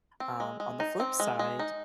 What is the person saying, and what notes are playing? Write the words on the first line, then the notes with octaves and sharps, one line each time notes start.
um, on the flip side,
C4
G#3
G#3
D#4
C4
G#3
G#3
D#4